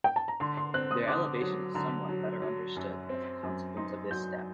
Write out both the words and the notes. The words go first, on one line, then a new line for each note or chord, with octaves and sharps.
Their elevation is somewhat better understood as a consequence of this step.
G5
A5
A#5
D3 C6
C6
C4 F#6
D#6
D3 D6
F#3
D3 A#5
F#3
F#3
F#2
C4
F#2
D#4 C6
F#3 G6